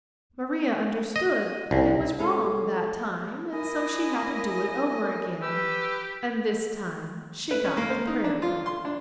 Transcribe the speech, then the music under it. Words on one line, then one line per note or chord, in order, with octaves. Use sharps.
Maria understood that it was wrong that time and so she had to do it over again: and this time she got the prayer-book.
D#5
C2
G#3 C#4 A4
E4 A#4 D#5 G#5
G4 B4 E6
B4
C#4
A#3
C5
D#4
D4
F4
C6
D4